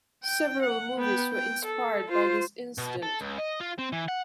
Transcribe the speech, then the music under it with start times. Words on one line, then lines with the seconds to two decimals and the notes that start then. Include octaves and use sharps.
Several movies were inspired by this incident.
0.24 G5
0.63 F#5
0.98 B3 G5
1.34 G5
1.65 A4
2.09 F4 C5
2.78 B2
3.02 A4
3.21 C#2
3.38 D#5
3.60 F4
3.79 C4
3.92 E3
4.08 F#5